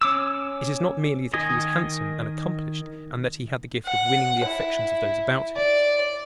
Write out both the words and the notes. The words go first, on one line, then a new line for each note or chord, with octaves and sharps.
It is not merely that he was handsome and accomplished and that he had the gift of winning the affections of those about him.
C#4 D6 E6
D#3 D#5 G#5
F#5
E4
D5